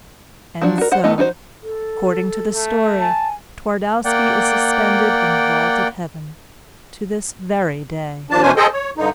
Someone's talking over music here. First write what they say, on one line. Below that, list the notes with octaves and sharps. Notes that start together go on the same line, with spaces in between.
And so, according to the story, Twardowski is suspended in the vault of heaven to this very day.
F3 F#3 D4 F#4
F#4 A#4
C5 F#5
A3 B3 E4 D#5
D#4 F#4 G#4 C5
A4
A3
G#5 A5
A#3 D5 F#5 G5
D#2 F3 D4 A5
B2 E3 C#4 D4 C5 G#5
G#4 A4 C5 D#5 G5
C#5
G2 D3 D#4